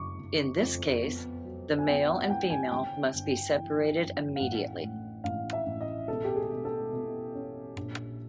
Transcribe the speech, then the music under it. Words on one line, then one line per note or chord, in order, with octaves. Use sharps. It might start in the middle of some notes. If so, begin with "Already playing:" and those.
In this case, the male and female must be separated immediately.
Already playing: F#1 F#3 C#6 D6
F#1
F2
B3
F#3
G#5
B3 G5
F#5
F#5
E4 G5
G#5
C#3 G5
G1
E3
F#2
F5
A1 F#5
A2
A1 F5
E5
A1
D#5
B2 A4
G4
G#4
B2
A4
B2
C#4
A#1